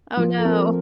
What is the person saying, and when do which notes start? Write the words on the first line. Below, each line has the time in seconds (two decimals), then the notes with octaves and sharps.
Oh, no.
0.17 F3
0.38 A4
0.45 C4 A#4